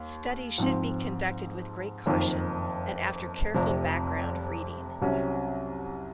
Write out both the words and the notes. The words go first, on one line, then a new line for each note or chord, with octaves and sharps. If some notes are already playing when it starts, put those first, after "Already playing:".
Studies should be conducted with great caution, and after careful background reading.
Already playing: D#2
G#2 F3 C4
F#1 F2 D#3
F1 F2 C3
C2 C3 F#3 C#4